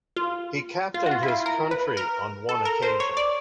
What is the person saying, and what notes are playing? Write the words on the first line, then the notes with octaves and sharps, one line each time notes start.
He captained his country on one occasion.
F4
F4
F#4
F4
E4
F4
A#4
B4
A#4
A4
A#4
C5
C#5
D5